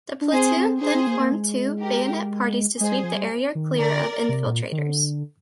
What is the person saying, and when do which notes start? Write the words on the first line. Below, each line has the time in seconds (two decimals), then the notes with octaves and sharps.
The platoon then formed two bayonet parties to sweep the area clear of infiltrators.
0.21 D4
0.32 C4 G#4 C5
0.56 C4
0.81 D4 G#4 C5
0.95 C4
1.07 A#3
1.20 A#3
1.32 G#3
1.81 G4 A#4
2.80 G#3 G#4 C5
2.92 G3
3.04 F3
3.15 G3
3.55 D#3
3.79 D3 A#4 D5
4.29 C3
4.46 A#2
4.72 D#3
4.78 D3